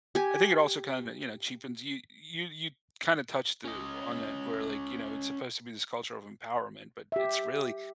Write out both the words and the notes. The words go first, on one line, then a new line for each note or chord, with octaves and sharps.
I think it also kind of, you know, cheapens you you you kind of touched on it, where like, you know, it's supposed to be this culture of empowerment, but it's really
G4 G#5
C#4 D#5
G4 E5